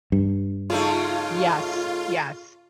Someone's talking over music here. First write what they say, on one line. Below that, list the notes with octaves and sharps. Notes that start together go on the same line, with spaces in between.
Yes. Yes.
G2
C#3 A3 D#4 F4